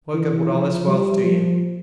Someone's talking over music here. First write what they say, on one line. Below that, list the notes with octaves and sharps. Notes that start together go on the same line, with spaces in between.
What good would all this wealth do you?
E3
F3
G3
F3